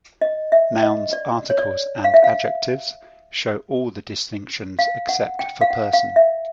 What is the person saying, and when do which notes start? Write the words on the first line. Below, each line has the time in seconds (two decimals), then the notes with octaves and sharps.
Nouns, articles and adjectives show all the distinctions except for person.
0.21 D#5
0.52 E5
0.83 D#5
1.13 D5
1.50 C#5
1.59 D5
2.04 F5
2.14 E5
2.24 F5
4.79 F5
5.09 F#5
5.39 G5
5.61 F5
5.70 F#5
5.93 F5
6.16 E5